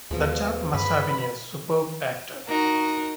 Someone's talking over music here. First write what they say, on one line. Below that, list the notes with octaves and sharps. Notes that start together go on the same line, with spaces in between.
That chap must have been a superb actor.
D#2 B2 F3 G#3
G2 B4 B5
D#4 F#4 A#4